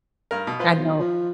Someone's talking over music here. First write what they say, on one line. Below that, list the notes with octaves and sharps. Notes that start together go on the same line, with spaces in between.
I know
G2 A#4
B2
F4 B4 C5
B1
F3